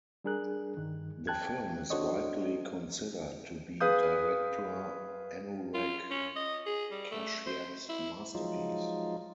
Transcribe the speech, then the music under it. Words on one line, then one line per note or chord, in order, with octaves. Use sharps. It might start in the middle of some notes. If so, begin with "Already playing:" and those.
The film is widely considered to be director Anurag Kashyap's masterpiece.
G3 D4 G#4 A#4 F#6
G2 D#3
G5 A5 F#6 G#6
D4 F#4 A4 C5 C#5 D#5
G#4 B4 F5 D#6 G6
F4
C#4
D#5
G#4
G3
A3
C5
E4
F3 F#3 G#3 D#4 F4